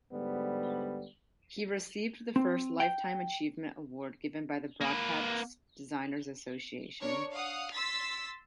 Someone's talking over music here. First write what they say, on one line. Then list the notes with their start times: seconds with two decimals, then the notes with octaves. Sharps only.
He received the first Lifetime Achievement Award given by the Broadcast Designers Association.
0.12 G#2 D3 G3 B3
2.36 C4
2.80 G5
4.81 A#3 B4
7.00 D4 A#4 C#5 C#6
7.33 F5 F#5 D#6
7.73 C6 E6 A6 B6